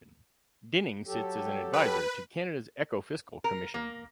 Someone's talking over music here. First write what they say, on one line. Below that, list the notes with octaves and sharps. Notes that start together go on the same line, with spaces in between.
Dinning sits as an advisor to Canada's Ecofiscal Commission.
F#3 G4 A4
B4
A#4
A#3